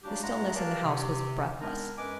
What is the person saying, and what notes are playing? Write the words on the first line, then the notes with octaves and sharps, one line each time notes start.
The stillness in the house was breathless.
F#3 G3 A#3 D4 F#4 G4
G2 G#3 A3 F4 F#5 A#5
G4 A#4 B4 F5 G#5 A5
C3
G#3 B3 C4 D4 D#4 A#4
F#2 G#3 B4 D#5 G#5 D6